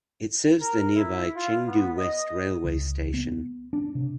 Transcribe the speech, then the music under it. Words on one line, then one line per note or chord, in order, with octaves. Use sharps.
It serves the nearby Chengdu West railway station.
A#4
E4
F4
B3
D#5
C#2
B3
D4
C3